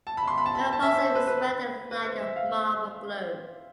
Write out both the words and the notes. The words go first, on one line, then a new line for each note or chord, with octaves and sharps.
Her bosom is rounded like a marble globe.
A5
B5
C6
B5
A5
B5
A5
E5
C5
C5
B4
B4
B4
B4
C5
E5
F5